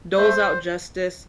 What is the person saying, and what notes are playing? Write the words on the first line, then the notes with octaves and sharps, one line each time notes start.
doles out justice,
A3 C5